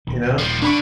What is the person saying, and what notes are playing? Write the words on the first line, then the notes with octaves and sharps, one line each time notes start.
You know?
D#1 D#3
F3 G3
D3 D4 B5 C#6